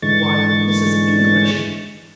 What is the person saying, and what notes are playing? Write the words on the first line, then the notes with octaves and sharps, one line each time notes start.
"Why, this is English!"
G#2 D3 E3 G#3 C#6 A6